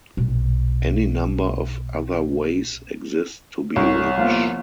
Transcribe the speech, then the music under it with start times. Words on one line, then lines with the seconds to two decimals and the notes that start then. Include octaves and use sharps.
Any number of other ways exist to be rich.
0.17 B1 A#2
3.76 C2 C#5
4.17 F3 A#3 B3 F4